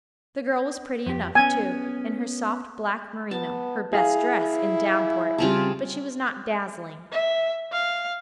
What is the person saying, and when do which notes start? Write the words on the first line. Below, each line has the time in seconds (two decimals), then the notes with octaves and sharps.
The girl was pretty enough, too, in her soft, black merino--her "best" dress in Downport--but she was not dazzling.
1.06 F2 G4
1.35 B3 C#4 G#5
3.31 B3 A5
3.93 E4 G#4 F5
5.38 C#3 G3 C4 C#4 F4 A5
7.12 E5
7.72 F5